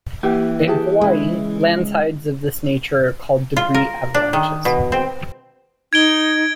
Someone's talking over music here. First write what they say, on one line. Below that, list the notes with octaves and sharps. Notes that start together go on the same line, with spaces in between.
In Hawaii, landslides of this nature are called debris avalanches.
E3 A#3 G4
G4 G#4 A5
C#3 G#3 E4 B4
F4
A#4
D4
D#3
B2
C4
D#4 G#6 D7 G7